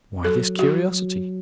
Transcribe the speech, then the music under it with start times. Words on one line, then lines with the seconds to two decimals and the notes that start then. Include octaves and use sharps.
Why this curiosity?
0.25 F#3 A4
0.59 F#4